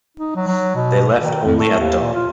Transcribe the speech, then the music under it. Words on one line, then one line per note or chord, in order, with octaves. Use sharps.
They left only at dawn.
D#4
F#3
F#3
B2
D#3
F2
A3
D#2
A#2
F4